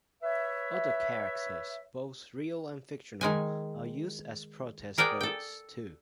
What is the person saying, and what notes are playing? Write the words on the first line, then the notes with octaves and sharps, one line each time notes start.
Other characters, both real and fictional, are used as protest votes too.
B4 C#5 E5
D#3 G#3 G#5
G#4 A#4 D5 F#5 G5
A4 G5